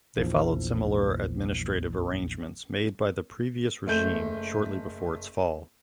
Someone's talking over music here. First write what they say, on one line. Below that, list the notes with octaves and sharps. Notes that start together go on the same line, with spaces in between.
They followed similar administrative arrangements made by the previous regime shortly before its fall.
A#1 E2 F3
F#1 A3 G6